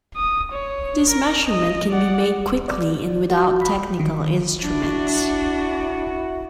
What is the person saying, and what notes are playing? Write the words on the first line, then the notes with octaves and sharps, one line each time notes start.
This measurement can be made quickly and without technical instruments.
D#6
C#5
A#4
D#5
D5 F#5
D5
F#4
B5
D#3
D4 E4 F#4